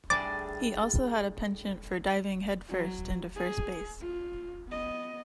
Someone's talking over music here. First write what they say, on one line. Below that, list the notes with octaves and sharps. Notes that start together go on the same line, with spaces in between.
He also had a penchant for diving headfirst into first base.
A2 D#3 G3 D4 G#4 D6 A6
F#3
G#4
F4
B3 D#5